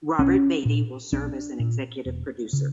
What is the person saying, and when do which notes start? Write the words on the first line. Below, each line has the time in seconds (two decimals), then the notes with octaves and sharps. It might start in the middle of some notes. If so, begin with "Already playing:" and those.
Robert Beatty will serve as an executive producer.
0.19 B1 C#4
0.65 A#2
1.12 B1 D4
1.60 A#2
2.06 E1
2.53 C#3